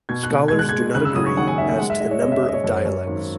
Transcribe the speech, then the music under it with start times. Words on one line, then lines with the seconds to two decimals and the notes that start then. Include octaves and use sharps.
Scholars do not agree as to the number of dialects.
0.09 B2 G#6
0.23 F#6
0.30 B2
0.48 G#3 G#6
0.59 F#6
0.69 G#6
0.73 G#3
0.95 C#3 F#6
1.05 E6
1.15 F#3 D#6
1.26 C#6
1.37 D#2 F#5
1.48 G#5
1.58 D#2 E5
1.69 E5
1.79 G#3 F#5
1.90 E5
2.00 G#3 D#5
2.11 C#5
2.22 C#4 D#5
2.32 E5
2.43 C#4 E5
2.49 D#5
2.54 C#5
2.64 F#2
2.85 F#2
3.07 G#1